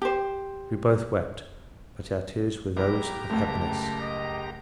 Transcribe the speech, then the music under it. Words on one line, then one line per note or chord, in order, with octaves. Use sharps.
We both wept, but our tears were those of happiness.
G4 C5
B1 E4 G4 A#5
F#1 C#2 A3 A5
D#5